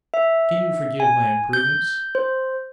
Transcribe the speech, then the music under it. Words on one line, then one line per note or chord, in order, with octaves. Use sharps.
'Can you forgive my imprudence?'
E5
G#5
G6
C5